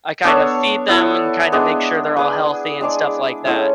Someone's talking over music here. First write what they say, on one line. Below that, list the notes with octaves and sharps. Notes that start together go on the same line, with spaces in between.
I kind of feed them and kinda make sure they're all healthy and stuff like that.
B3 D4 A4 C#5
B3 E4 A4
G#3 B3 D4 G#4
D4 G#4 B4
G#3 D4 G#4 D5
G#3 C#4 E4 A4